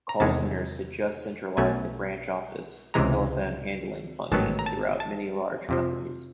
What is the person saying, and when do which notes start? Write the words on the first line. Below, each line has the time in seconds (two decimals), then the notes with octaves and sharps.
Call centers had just centralized the branch-office telephone handling function throughout many large companies.
0.09 A#5
0.20 E2 C3 D#3 G#3 A5
1.57 B1 B2 F#3 A3 C#4 G#5
2.94 C#2 C3 E3 G#3 A#5
4.32 A1 G#2 D#3 F#3 B3 A5
4.59 A#5
4.66 A5
5.00 A5
5.69 F2 C3 F3